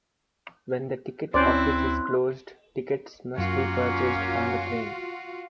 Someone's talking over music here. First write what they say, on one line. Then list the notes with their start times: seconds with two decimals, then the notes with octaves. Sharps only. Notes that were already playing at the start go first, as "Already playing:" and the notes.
When the ticket office is closed, tickets must be purchased on the train.
1.34 D2 C4 C#4 E4 C5 D5 C6 F#6
3.38 F#2 A#3 C#4 F4 F#4